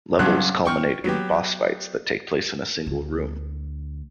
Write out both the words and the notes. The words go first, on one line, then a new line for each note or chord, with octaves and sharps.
Levels culminate in boss fights that take place in a single room.
B1 G2 C#3 F#3 F#6
G5 C#6 F6
F#3 B3 G4
D2 D3